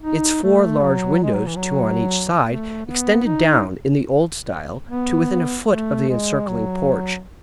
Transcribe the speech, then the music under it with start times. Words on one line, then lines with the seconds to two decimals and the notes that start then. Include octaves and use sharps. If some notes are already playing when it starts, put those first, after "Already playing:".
Its four large windows, two on each side, extended down, in the old style, to within a foot of the encircling porch.
0.02 D#4
0.43 A3
0.82 F#3
1.23 G#3
1.34 F#3
1.46 E3
1.56 F#3
2.45 A3
2.86 B3
3.26 D#4
4.87 B3
5.69 A3
6.09 G#3
6.49 F#3